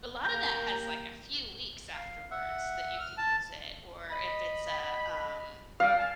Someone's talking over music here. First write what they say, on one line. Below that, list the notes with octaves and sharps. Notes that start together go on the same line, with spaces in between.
a lotta that has, like, a few weeks afterwards that you can use it, or if it's a, um
A#3 G4 A#5 G6
F5
E5 F#5
F6
A5
D#5 B5
G3 F5
G#5 A5